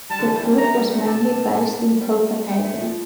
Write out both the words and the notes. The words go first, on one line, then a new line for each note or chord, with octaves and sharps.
The group was mainly based in Copenhagen.
G3 A5
D3
E3
G3
A3 A#5
G3
A3
C3 A5
A#2
G3
A3
A3
F3